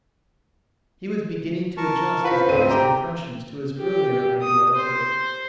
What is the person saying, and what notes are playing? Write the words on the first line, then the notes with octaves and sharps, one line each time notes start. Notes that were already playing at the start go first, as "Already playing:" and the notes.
He was beginning to adjust his latest impressions to his earlier idea of her.
A#4 A5 C#6
F4 B4 C5 B6
D2 G#2 C4 D#7
G4 A#5
G4
D#6
C5